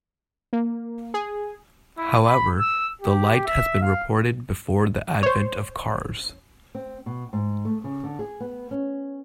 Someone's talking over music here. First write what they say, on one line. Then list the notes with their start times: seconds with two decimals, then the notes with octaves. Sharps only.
However, the light has been reported before the advent of cars.
0.53 A#3
1.14 G#4
1.98 E4
2.27 B5
2.60 E6
3.02 G4
3.47 E5
3.82 F5
5.23 C5 C#5
6.75 C4
7.06 B2
7.33 G#2
7.65 A3
7.84 C#3
8.03 D3
8.19 G#4
8.40 B3
8.71 C#4